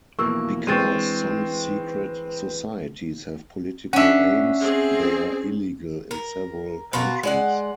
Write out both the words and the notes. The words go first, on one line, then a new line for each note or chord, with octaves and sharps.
Because some secret societies have political aims, they are illegal in several countries.
F2 B2 E3 A#3 C#6 E6
E3 G#3 C4 D4 B4 C#6 A6 D#7
C#4 D4 E5 F#5
C4 G#4
A#4
B2 F4 F#4 A#4
G#3 D5 F#5